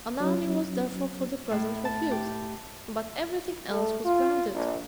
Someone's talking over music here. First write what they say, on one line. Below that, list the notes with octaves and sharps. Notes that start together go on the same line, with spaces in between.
An army was therefore for the present refused; but every thing else was granted.
F#3 C#4
A2
A5
G4
A3
F4
A#1